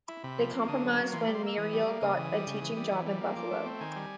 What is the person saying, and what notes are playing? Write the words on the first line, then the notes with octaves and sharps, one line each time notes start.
They compromised, when Muriel got a teaching job in Buffalo.
E4
C3 B5
F3
A#3
D3 D#6
F#3
A#3
E3 C6
B5
G3
C6
A#3 E6
E3 D#6
G3
A#3
C#3 D#6
E3
G3
C#3
E3
G3
E3
G3
A#3
F3 D6
A3
C4
D#3 G#5
G3